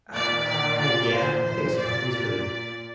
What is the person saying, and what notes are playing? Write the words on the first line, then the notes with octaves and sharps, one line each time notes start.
Uh, yeah, I think so, at least for the
A#2 D5
D5
D5
C5
A#2 C5
D5
D5